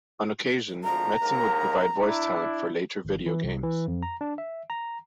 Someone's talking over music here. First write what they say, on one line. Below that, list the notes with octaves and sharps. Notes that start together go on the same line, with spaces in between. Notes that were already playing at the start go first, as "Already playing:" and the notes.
On occasion, Metzen would provide voice talent for later video games.
G#1 D2 F3 A#5
D#2 G#2 A#4
D4 E4
G#1
E3
C2
E3
F2
A#5
D4
E5
A#5